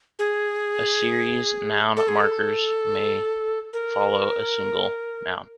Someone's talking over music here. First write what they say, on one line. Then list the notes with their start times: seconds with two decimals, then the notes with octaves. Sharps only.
A series noun markers may follow a single noun.
0.19 G#4
1.97 A4
2.08 G#4
2.20 A4
3.73 A#4